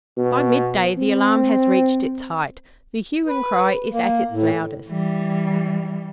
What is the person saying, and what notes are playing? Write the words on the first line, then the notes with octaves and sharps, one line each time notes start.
By midday the alarm has reached its height--the hue and cry is at its loudest.
B2
C4
B4
A#3
A2
E3 G3